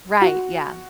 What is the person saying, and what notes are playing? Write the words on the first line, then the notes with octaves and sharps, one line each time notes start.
Right, yeah.
F#4